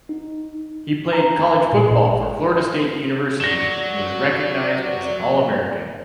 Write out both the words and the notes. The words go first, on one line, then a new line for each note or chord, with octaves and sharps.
He played college football for Florida State University, and was recognized as an All-American.
D#4
A#5
A#2
G#1
F#3 D5 A#6 E7